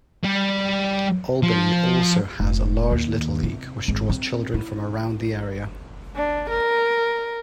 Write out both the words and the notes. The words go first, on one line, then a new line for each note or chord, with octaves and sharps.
Albany also has a large little league, which draws children from around the area.
G3
F3
F1
D#2
C3
G#1
C4
E4
D4
A#4